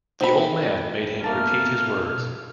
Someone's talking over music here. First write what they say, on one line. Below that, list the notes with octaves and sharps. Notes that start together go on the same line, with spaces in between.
The old man made him repeat his words.
C4 D#4 B5
B2 A3 A#3 A5 F6